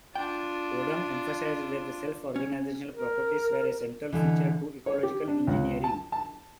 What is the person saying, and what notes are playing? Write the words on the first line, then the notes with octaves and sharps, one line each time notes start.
Odum emphasized that self-organizational properties were a central feature to ecological engineering.
D4 F4 G5
C#4
A#4
B2 D3 E3
C#5
G4
D4
C#2
A5
A5